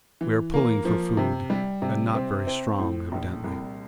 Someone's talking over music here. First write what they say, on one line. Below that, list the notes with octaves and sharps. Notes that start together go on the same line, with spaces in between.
We are pulling for food and not very strong evidently.
E3
A#3
F3
C3
G3
C3
C4
C4
A2
A#1
C2